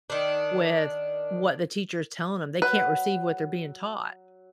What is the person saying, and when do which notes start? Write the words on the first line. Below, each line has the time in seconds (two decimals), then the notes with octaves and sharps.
with what the teacher is telling 'em, they can't receive what they're being taught.
0.10 D#3 D4
2.62 F#3 B4